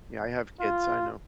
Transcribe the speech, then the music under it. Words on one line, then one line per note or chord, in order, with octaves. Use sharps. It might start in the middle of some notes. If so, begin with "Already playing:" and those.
Yeah, I have kids, I know.
F4